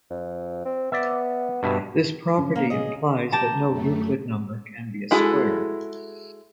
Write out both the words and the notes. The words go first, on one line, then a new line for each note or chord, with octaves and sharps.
This property implies that no Euclid number can be a square.
F2
C4
B3 D5 E5
G2 B2 B4 E5
C#3
A#3
G#4 D#5
G4 A5 A#5
F#2 A3
G#3 E4 F#4 G#4 A4